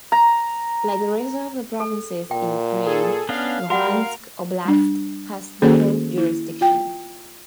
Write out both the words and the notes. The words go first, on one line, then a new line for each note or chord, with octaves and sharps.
Like the rest of the provinces in Ukraine, Luhansk Oblast has double jurisdiction.
A#5
A4
A#2 G5
G#4 A4
B3 C#4 D4 F5
G3 F#4 A#4 F#5
G3 D4
D#3 A#3 C#4 F#4 G#4 A4
E4
F4 G5